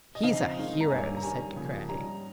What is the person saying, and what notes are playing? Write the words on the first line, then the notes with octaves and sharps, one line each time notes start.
"He's a hero!" said De Craye.
D#5
C#3 F3 C4 D#4 F5
D#3 G#3 D#4
A#5
G2 G3 A#3 C#4 G#5
A#5
D#3 G3 C#4 G#5
C#3 F3 A#3
G#2 G3 C#4 A#5